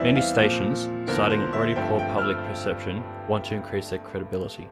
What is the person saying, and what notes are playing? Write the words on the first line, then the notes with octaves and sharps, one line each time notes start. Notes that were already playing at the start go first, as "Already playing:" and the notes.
Many stations, citing an already poor public perception, want to increase their credibility.
Already playing: E2 E3 G3 C4 D5 E5
F5
A#2 F3 C4
E2 D3 F3 A#3 A#4
C5
E5
G2 F3 A3 C4 G5
G5
F6
E6